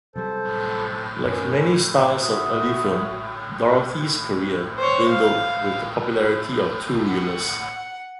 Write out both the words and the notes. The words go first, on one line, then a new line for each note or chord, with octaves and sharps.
Like many stars of early film, Dorothy's career dwindled with the popularity of two-reelers.
C3 F#3 G3 A4 C5
F#2 D#3 C#4
F#4 E5 D#6
C5 C#5
F5
F#5